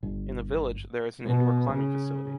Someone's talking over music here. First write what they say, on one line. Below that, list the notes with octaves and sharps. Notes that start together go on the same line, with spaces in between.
In the village, there is an indoor climbing facility.
G1
B2
C#3